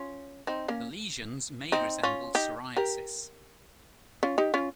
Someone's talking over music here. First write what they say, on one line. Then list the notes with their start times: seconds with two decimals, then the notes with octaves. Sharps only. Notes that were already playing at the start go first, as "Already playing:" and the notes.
The lesions may resemble psoriasis.
Already playing: C#4 F4
0.47 C4 D#4
0.68 A#3 C#4
1.72 C4 D#4
2.03 C#4 F4
2.35 D#4 G4
2.76 G4 A#4
4.23 C#4 F4
4.38 D#4 G4
4.54 C#4 F4